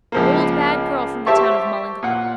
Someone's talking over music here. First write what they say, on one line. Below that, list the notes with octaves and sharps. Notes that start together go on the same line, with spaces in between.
Bold bad girl from the town of Mullingar.
C#2 F3 A#3
G4 C5 E5 A5 C#6
A#2 F#5